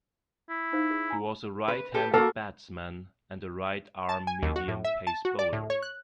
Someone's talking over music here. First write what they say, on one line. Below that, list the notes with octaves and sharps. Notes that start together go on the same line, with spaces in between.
He was a right-handed batsman and a right-arm medium pace bowler.
E4
D#4 C5 F5
F4 G#4
G#5 A#5
B4
G4 A4 B4
A#3 F#4 A4
A5
G#5
D#2
F#4
A2
E5
A5
F#4
D5
A2
C#5
F#6